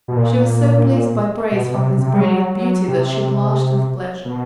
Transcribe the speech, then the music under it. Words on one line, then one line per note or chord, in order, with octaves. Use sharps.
She was so pleased by praise from this brilliant beauty that she blushed with pleasure.
B2
A#2
B2
B2
C3
C3
G3
F#3
F#3
C3
B2